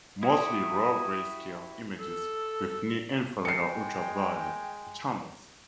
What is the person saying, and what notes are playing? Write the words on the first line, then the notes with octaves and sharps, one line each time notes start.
Mostly raw greyscale images with near infrared or ultraviolet channels.
E4 F#4 G4 D#6
A4
G#3 G5 C7 C#7